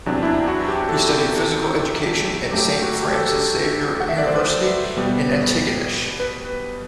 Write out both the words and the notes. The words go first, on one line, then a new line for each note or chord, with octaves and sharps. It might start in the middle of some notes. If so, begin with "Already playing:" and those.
He studied physical education at Saint Francis Xavier University in Antigonish.
E2 C3 F#3 D4
E4
D4
F#4
G4
A4
G4
F#2 F#3 A3 G4
G4
F#4
G4
A4
F#5
E5
D5
C5
B4
B2 G3 B3
B4